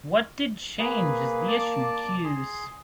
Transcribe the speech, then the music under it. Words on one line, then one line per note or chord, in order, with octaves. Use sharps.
What did change is the issue queues.
A#3 G#4 B4
D5 A5 D6
G#4 C6